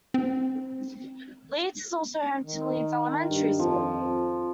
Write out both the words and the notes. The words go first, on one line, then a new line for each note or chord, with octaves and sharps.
Leeds is also home to Leeds Elementary School.
C4
D#3
G2
F2 F3